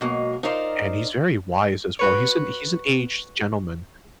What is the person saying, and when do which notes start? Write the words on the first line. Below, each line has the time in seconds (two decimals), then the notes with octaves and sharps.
and he's very wise as well. He's an he's an aged gentleman.
0.01 B2 F#3 G#3 A#3
0.43 D#4 F4 A#4 C5 D5
1.99 F#4 B4 C#5